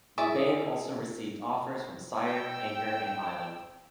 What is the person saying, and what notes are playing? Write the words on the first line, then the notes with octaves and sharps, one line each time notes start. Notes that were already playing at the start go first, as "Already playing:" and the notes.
The band also received offers from Sire, Anchor and Island.
E4 G#4 D5 E5
G5 E6